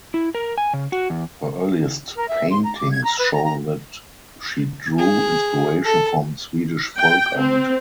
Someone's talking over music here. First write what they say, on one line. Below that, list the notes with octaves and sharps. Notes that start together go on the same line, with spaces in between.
Her earliest paintings show that she drew inspiration from Swedish folk art.
E4
A#4
G#5
C#3
F#4
E2
A#4
E5
C6
A#5
D6
G#6
A#5
B4
A#5
A#5
G#4
A4
G5
C4